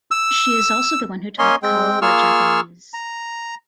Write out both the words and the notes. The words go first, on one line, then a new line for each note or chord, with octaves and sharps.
She is also the one who taught Kaolla Japanese.
E6
A#3 C#4 C#5 D#5 G#5 C6
G#3 C4 G5
A#3 F4 G#4 C#6 E6 F6
A#5